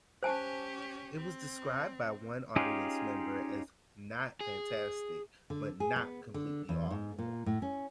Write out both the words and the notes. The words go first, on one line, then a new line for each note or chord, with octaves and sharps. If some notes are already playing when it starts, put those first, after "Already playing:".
It was described by one audience member as "not fantastic, but not completely awful".
C#4 G4 C5 G#5 A5
C4
C#4 D#4 F4 G4 G#4
G#4
D3
G#4
B3
D3
E2
G#2
A#2
A2
C#4